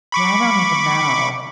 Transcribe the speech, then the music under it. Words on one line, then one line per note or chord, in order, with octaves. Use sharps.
Yeah, I don't even know.
B5 C#6 D6